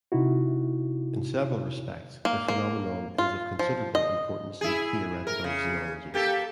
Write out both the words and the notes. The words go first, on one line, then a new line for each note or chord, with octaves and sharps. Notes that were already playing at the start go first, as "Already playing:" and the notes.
In several respects, the phenomenon is of considerable importance in theoretical zoology.
C3 D#4 E4 F#4
A#3
A#3
F4
F3
D#5
E4 G#4
A#4
C#3
A#3 G4 A4